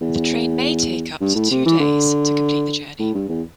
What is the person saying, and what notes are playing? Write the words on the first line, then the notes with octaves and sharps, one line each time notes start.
The train may take up to two days to complete the journey.
E2
G2
A2
C3
E3
D3
A2
G2
E2